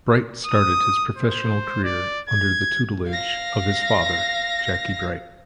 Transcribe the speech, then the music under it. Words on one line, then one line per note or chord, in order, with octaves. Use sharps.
Bright started his professional career under the tutelage of his father, Jackie Bright.
D#6
C5
D5
G#6
F5 A#6